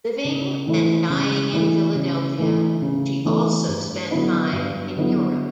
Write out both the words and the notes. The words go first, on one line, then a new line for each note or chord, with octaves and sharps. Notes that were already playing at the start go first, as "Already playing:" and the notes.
Living and dying in Philadelphia, she also spent time in Europe.
C#3
E3 A3 E4
C#3
E3 A3 E4
C#3
E3 A3 E4
C#3
E3 A3 E4
G2
D3 F#3 B3 E4
G2
D3 F#3 B3 E4